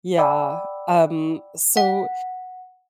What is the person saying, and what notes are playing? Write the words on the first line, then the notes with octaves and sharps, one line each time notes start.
Yeah. Um, so,
D5 F#5 G5 B5 D6 E6
F#5